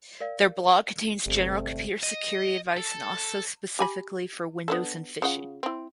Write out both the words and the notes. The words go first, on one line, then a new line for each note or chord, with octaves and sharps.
Their blog contains general computer security advice and also specifically for Windows and phishing.
A#4 D5 F5
G1 C3 G3 A3
D#5
A4
G4 G#5 B5
B3 D4 A4
C#3 F4 F#5
C4 E4